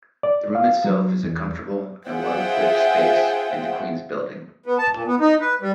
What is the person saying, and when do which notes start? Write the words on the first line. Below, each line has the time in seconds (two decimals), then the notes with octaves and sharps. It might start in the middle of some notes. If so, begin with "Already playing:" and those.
The Room itself is a comfortable and well equipped space in the Queen's Building.
0.23 D5
0.55 F5
0.84 F#3
1.23 E2
2.08 F4 G#4 C5 E5 F#5 G5
4.66 B3
4.78 A5
4.94 A#2
5.07 B3
5.20 D#4
5.41 B4
5.61 G3